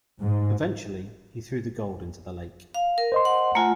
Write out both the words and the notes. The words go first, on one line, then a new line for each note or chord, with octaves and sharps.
Eventually, he threw the gold into the lake.
G#2
F5
A#4
C5 D#5 C6
F#5
A3 F4 F#5 G#5 A#5